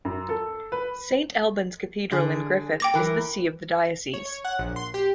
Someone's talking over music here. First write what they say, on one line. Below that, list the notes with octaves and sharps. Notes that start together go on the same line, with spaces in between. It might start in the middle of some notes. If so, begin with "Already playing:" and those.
Saint Albans Cathedral in Griffith is the see of the diocese.
F#2
A4
B4
D3 G#4
G5 D6 A#6
E3 A#4
C#5
C#5
F#5
A#1
C6
G4